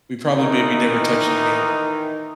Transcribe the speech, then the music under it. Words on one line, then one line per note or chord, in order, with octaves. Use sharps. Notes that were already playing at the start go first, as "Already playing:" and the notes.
we probably maybe never touched it again
D#3 E3 D#4